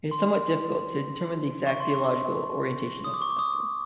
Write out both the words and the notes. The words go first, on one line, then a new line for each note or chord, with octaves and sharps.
It is somewhat difficult to determine the exact theological orientation of Wesel.
C6
C#6
C6
C#6
D#6
D6
C#6
D6
D#6